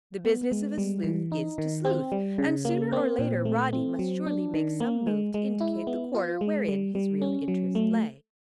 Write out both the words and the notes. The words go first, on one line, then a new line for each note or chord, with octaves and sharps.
The business of a sleuth is to sleuth, and sooner or later Roddy must surely make some move to indicate the quarter wherein his real interest lay.
B3
G#3
G3
E3
D#4
D#3
C4
G3
C#3
A#3
C4
A#2
A3
C4
F#3
D4
D#3
A#3
G#3
G#3
E4
B3
F4
G#3
G3
G3
C#4
F#3
A3